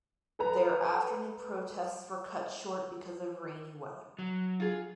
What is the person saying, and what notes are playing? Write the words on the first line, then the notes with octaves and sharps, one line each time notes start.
Their afternoon protests were cut short because of rainy weather.
A4 B4 A#5
F#3
F4 G#4